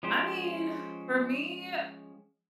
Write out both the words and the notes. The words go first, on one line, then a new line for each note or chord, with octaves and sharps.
I mean, for me,
F3 G#3 C#4 G4 C5